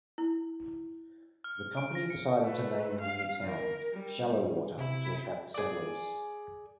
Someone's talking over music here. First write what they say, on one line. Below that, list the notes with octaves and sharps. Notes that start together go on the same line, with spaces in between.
The company decided to name the new town Shallowater to attract settlers.
E4
F6
D7
A#6
C#7
A3 B4
F5
A#4
G3
C3 E4
G#4 D5